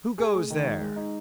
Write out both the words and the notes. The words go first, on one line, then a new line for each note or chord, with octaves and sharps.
"Who goes there?"
G#4
A3
D#3
G#3
G#3
D#4